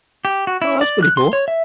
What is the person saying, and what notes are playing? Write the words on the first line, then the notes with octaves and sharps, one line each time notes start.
Oh, that's pretty cool.
G4
F#4
E4
D5
F#6
C6
C#5
E5